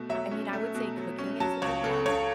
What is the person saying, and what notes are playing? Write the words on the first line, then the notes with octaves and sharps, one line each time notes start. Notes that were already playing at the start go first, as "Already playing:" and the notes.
I I mean, I would say cooking is the big one
Already playing: B2 A3
F#3 E5
C#4
A3
B2
F#3
C#4
F#3 A5
C#2 C#5
C#3 A4
C#2 C#5